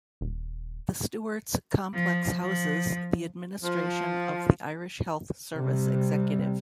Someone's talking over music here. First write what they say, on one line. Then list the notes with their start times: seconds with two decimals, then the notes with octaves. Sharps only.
The Stewarts complex houses the administration of the Irish Health Service Executive.
0.21 D#1
1.94 F3
2.42 F3
3.63 F3
5.54 C3 G3